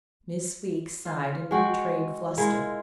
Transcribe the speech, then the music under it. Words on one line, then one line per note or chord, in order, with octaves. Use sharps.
Miss Weeks sighed and betrayed fluster.
F4
G#3 F#4 F#5 G5
G#3 E4 F4 A#4